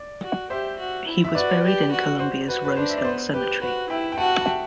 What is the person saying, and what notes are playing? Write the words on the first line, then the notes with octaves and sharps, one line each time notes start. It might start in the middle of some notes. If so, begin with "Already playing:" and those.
He was buried in Columbia's Rose Hill Cemetery.
Already playing: D5
F#4
G4 C5 E5
F#4
E4
E5
F#4 B4 D5
G4
F#4
C5
F#4 B4
B4
D4 C5
E5
D5
B3 C5
G4 B4
F#4 B4
E4 E5 G5
G5
F#4 F#5 A5
A5
E5 G5